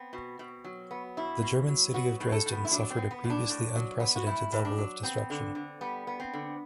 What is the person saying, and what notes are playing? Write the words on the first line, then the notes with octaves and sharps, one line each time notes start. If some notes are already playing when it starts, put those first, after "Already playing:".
The German city of Dresden suffered a previously unprecedented level of destruction.
Already playing: B3 C4
B2
B2
F#3
B3
B2 E4
B2
F#3
B3 F#4
A2
A4
A2
B3
E4
F#3 D4
C4
B3
B3
A2
D4
A2
F#3
B3
F#4
A2 E4
A2
D4
F#3
B3 C4
D3
D3
G3 B3
B3
C4
D3